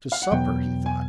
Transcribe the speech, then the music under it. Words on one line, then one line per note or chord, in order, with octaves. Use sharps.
"To supper!" he thought.
F5
F#5
E2 B2 F#3 B3 G5
G#5